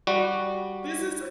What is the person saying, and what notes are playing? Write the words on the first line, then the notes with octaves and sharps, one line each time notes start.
This is
G3 F#4